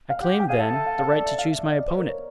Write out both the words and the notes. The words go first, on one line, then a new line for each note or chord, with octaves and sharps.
I claim, then, the right to choose my opponent.
F5
G4 F#5
F#5
G5
G#4 F5
A4 F5
E5
F5
F5
D5
E5
F5
E5
D#5
D5
C5
A#4
C#5